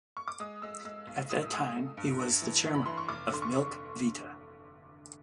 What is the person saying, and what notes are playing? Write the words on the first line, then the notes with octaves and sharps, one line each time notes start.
At that time he was the chairman of Milk Vita.
C#6
D6
G#3 D#6
G#3 E6
G#3 E6
B1
A2 D#6
E6
G#3 D#6
A3
G2
G2
E3
E3
B5
E3 C6
C#6
F1 D6
D3 C6
C#6